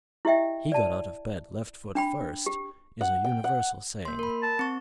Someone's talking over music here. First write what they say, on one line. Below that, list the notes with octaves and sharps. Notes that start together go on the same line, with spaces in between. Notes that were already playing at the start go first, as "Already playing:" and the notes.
"He got out of bed left foot first," is a universal saying.
E4 G4 D#5 E5 G5
D5 A5
D4 G5 B5
G4
F#5
G5
F#5
A#3 C6
A#4 B5
A5
C4 C#6